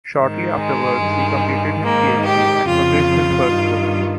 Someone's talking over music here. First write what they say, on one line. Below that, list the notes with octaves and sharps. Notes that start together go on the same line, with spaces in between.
Shortly afterwards, he completed his PhD and published his first book.
G#2 D#3
G#3
G2 D#3
G#2 D#3 A#3
G4
F2 C#3 F4
G2 D#3